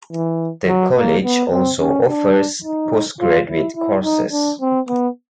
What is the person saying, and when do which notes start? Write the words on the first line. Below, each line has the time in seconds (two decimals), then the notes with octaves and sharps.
The college also offers postgraduate courses.
0.12 E3
0.67 F#3
0.97 A#3
1.24 B3
1.52 C4
1.80 C#4
2.09 D4
2.64 D#4
3.20 F4
3.49 E4
3.76 E4
4.03 D#4
4.32 D4
4.60 C4
4.88 B3